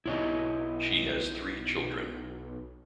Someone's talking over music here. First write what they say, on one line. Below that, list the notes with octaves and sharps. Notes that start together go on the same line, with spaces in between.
She has three children.
B1 E4 C#5 D#5